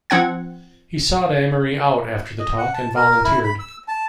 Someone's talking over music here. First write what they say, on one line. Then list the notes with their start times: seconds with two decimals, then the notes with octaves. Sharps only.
He sought Amory out after the talk and volunteered.
0.10 F3 C4 F#5 G#6
2.39 D#5
2.58 F#5
2.74 A5
2.95 A#4
3.24 E4
3.44 B5
3.59 E6
3.88 A5